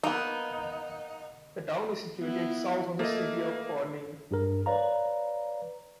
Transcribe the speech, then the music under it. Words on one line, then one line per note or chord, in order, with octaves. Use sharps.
The town is situated south of the city of Corning.
A#3 B3 D#4
B3 E4
A3 A#3 D#5
G2 G#4 A#4
B4 C#5 D5 F5 A#5